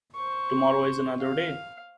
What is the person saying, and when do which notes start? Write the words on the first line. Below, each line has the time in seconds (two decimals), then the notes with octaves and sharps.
Tomorrow is another day.
0.15 C5 C#6
1.20 F5